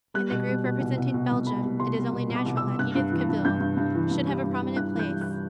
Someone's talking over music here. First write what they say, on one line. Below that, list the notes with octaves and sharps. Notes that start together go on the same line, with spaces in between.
In the group representing Belgium it is only natural that Edith Cavil should have a prominent place.
G3 F#6
B2
G3
B2
C2
C2
B2
C2
G3 B5
G3
C2 C6
G3
B2
B2
D6
C2
E6
C2
G2 F#6
G2
E3
G2
G2 G6
G2
G2
E3
G2
G3
G2
G3
G2 F#6
E3
G6
G3
F#6